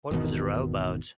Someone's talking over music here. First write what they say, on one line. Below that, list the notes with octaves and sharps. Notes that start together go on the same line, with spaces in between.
What was the row about?
G#1 E2 B2 D#3